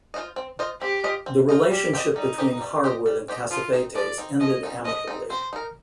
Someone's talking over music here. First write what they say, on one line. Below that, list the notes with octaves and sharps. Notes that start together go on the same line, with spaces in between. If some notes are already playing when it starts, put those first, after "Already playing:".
The relationship between Harwood and Cassavetes ended amicably.
F4 C5 D#5
C4
F4 C5 D#5
C4 G4
F4 C5 D#5
C4
F4 C5 D#5
G3 G4
C4 G4 C5 D#5
G3 D#4
C4 G4 C5 D#5
G3
C4 G4 C5 D#5
G3
C4 G4 C5 D#5
F3 F4
C4 D#4
F3 D5
C4 D#4
F3 D#5
C4 D#4
F3 D#5
C4 D#4
C4 C5
D#4 A#4